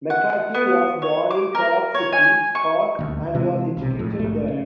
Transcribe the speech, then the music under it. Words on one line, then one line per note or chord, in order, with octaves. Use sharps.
McCarthy was born in Cork City, Cork, and was educated there.
F#5
B3
C#5
D6
A#4
C#5
G#5
C#6
D#1 D2
C3 E3 G#3
B1 C3
F2 A2
A#1 G#2 A3
C#3